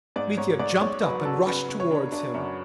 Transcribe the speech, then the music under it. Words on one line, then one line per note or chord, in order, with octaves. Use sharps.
Mitya jumped up and rushed towards him.
G#2 D5
G#2 C#5
G#2 D5
G#2 C#5
F#3 B4
F#3 A4
C#3 B4
C#3
C#5
D4
D4
F#2